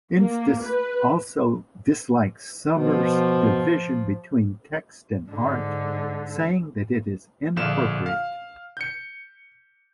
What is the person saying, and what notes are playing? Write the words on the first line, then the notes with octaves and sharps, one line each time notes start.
Enstice also dislikes Sommer's division between text and art, saying that it is "inappropriate".
A#3
B4
B2 F3
G#2 D3
A#1 D3 F4 E7
F5
G6 C#7